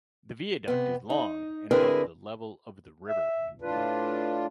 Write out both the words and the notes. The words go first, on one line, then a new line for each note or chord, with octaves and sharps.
The viaduct is long and above the level of the river.
C3 B3
D#4
D3 C4 E4 G#4 A#4 B4
E5
A2 D4 F4 B4